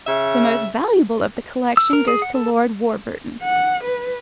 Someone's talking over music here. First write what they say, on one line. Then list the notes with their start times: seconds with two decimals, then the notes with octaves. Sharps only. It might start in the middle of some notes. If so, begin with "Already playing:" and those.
The most valuable of the collection goes to Lord Warburton.
0.07 C#3 E5
1.77 E6
1.93 A#4
2.08 G#4
2.22 F#5
2.35 A4
3.43 F#5
3.84 B4